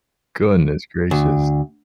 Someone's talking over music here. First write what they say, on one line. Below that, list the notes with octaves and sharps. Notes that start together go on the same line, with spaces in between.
Goodness gracious.
D2